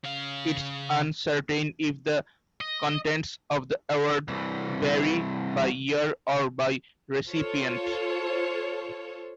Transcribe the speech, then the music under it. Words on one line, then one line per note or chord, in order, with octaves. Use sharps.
It's uncertain if the contents of the award vary by year or by recipient.
C#3 F5
D#5
C2 E3
F4 A4 C5 C#5